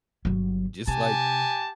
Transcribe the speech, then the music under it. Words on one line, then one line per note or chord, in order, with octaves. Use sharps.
just, like,
G1 F#3
C3 G4 G#5 A5